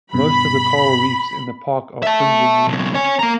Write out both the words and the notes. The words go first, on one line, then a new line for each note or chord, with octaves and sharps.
Most of the coral reefs in the park are fringing reefs.
G2 B2 B5
E5 A5
B1 C#3
C#5 G#5
A#3 A#5